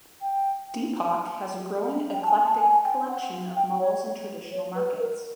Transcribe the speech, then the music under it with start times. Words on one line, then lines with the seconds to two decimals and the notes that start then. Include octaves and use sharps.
Depok has a growing eclectic collection of malls and traditional markets.
0.21 G5
2.12 G5
2.22 A5
2.27 G#5
2.44 A5
2.60 G#5
2.83 G5
3.07 F#5
3.55 G5
3.79 C#5
4.51 C#5
4.75 B4
4.99 A#4